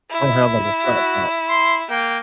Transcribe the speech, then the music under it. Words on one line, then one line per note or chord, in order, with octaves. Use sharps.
I don't have, like, a flat top,
E4
F#4
C6
A#3 G5